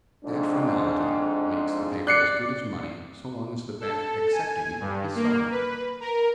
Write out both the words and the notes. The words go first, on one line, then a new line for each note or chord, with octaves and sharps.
That formality makes the paper as good as money so long as the bank accepting it is solvent.
F2 G#2 D4
D5 F#6 C7 C#7
A4
G#5
G2
A#3
B4
A#4